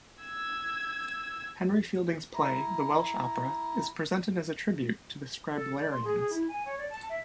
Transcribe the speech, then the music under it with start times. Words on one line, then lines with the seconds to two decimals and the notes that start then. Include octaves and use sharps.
Henry Fielding's play, "The Welsh Opera" is presented as a tribute to the "Scriblerians".
0.22 E6 G#6
2.34 E4 A#5
5.55 A4
5.77 D5
5.91 C6
6.04 G#4
6.16 G#4
6.30 E4
6.48 G#5
6.65 C#5
6.78 D5
6.90 A5
7.09 E5